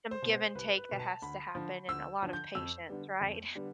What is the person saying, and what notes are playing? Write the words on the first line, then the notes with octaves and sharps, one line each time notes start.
some give and take that has to happen and a lot of patience, right?
C5
B2 B3
C5
C2 B4
B4
B2 B3
A5
D2 B5
D3 F3
D2 E6
D3 F3
G6
F2 E6
D3 G3 B3
F2
D3 G3 B3